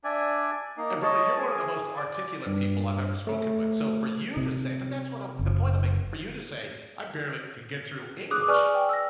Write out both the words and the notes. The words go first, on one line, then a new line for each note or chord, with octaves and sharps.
And brother, you're one of the most articulate people I've ever spoken with, so for you to say but that's what I'm the point I'm making, for you to say, "I barely can get through English."
D4 D5 E5 G#5
A#3 D#4
C#5 D#5 A5
G#4
D5
G2
A3
C3
F#1
G#4 D6 D#6 F#6
B4 D5 G#5 C#6 F6
G5
E6 A#6